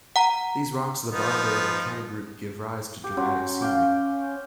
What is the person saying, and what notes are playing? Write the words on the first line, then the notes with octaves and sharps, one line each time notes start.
These rocks of the Borrowdale Volcanic Group give rise to dramatic scenery.
F#5 A#5
F3 B3 D#4
G4
F#3 C#4 C6
F5 G5 D6